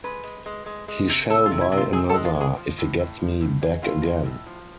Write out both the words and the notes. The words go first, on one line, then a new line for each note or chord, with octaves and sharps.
He shall buy another, if he gets me back again.
G#3 B4
G#3
G#3
G#3
G#3
C3
C3 A4
F4
C3
E4
C3
F4
C3 G#4
A4
G#3
F4
G#3
G#4
F3
A2
A2
F3
A2
G#3
A2 F4
G#3
A2
F3